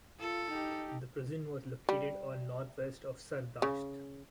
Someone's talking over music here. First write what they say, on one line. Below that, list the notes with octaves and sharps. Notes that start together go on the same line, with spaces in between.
The prison was located on northwest of Sardasht.
F4 A4
D#4 G4
G3
C#3